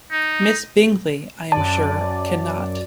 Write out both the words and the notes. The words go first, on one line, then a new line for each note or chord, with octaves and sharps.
Miss Bingley, I am sure, cannot.
D#4
F#2 D5 A5